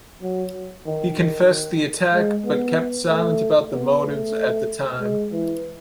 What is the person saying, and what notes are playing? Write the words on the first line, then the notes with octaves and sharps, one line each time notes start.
He confessed the attack, but kept silent about the motives at the time.
F#3
D#3
D#3
D#3
G#3
B3
A3
B3
A3
G#3
E3